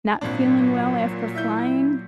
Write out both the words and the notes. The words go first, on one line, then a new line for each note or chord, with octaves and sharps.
not feeling well after flying,
G#1 A#2 F#3 D4
E4 E5 G6